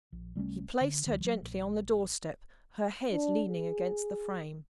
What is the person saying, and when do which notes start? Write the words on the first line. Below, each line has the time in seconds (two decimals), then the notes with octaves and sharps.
He placed her gently on the door-step, her head leaning against the frame.
0.12 A#1
0.35 C2 G3 A3 C#4
0.81 D3
1.06 C#2 D#3
1.21 F3 F#3
1.42 A#1
3.12 D4
3.50 G#4